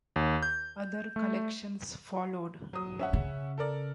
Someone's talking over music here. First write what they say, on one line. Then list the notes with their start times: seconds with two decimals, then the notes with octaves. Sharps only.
Other collections followed.
0.16 D#2
0.43 G6
1.16 A3
2.73 F#3 D#6
2.99 C#4 E5 F#5
3.13 C#3
3.58 A4 A#4 D5